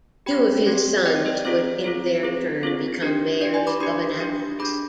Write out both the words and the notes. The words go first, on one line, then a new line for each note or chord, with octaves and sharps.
Two of his sons would in their turn become Mayors of Annapolis.
C4 G4 G5 B5
C4 G4
C4 G4 D#5 G5
D5
C5 D#5
D5
C4 F4 G#4 C5
C4 F4 G#4 C5
C4 F4 G#4
C4 F4 G#4 C5
D4 G4
D4 G4 D5
G#5 C6
B5 D6
D4 G4 C6 D#6
D4 G4
D4 G#4 B5 D6